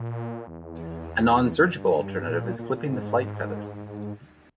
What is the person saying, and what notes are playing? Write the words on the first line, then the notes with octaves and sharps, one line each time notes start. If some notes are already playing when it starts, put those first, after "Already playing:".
A non-surgical alternative is clipping the flight feathers.
Already playing: A#2
E2
E2
G2
G2
A#2
A#2
G#2